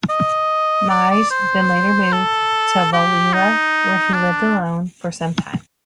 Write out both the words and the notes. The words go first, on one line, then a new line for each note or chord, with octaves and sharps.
Mige then later moved to Vallila, where he lived alone for some time.
D#5
D5
D5
C5
A4
G4
D#4
D4